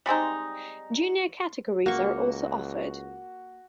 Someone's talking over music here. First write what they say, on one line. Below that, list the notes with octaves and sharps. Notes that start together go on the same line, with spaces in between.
Junior categories are also offered.
G3 G#3 C4 D#4
C#2 A#3 F#4 C#6